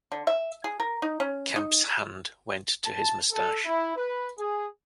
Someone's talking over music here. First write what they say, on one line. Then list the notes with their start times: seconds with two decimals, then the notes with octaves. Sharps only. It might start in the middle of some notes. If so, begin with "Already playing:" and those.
Kemp's hand went to his moustache.
0.12 D3
0.27 E5
0.64 G#4
0.80 A#4
1.02 D#4
1.20 C#4
1.56 D#4
2.85 A5
3.32 A4
3.65 E4
3.96 B4
4.39 G#4